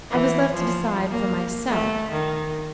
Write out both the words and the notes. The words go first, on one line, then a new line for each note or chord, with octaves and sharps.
I was left to decide for myself.
E3
F3
A#3
A3
D#3